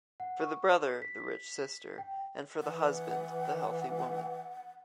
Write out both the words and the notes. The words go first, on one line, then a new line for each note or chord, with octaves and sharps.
For the brother, the rich sister, and for the husband, the healthy woman.
F#5
C#6
B6
G5
E3 F#5